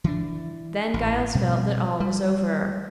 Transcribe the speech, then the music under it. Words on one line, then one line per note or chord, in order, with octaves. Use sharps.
Then Giles felt that all was over.
E3 D4
A1
B2 G3 C4
G3